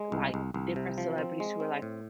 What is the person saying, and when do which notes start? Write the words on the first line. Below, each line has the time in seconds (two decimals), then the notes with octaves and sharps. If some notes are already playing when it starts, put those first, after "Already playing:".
like different celebrities who were, like,
Already playing: G#3
0.12 C2
0.34 C2
0.54 C2
0.76 C3
0.98 F3
1.18 C4
1.40 G#3
1.60 C4
1.82 A2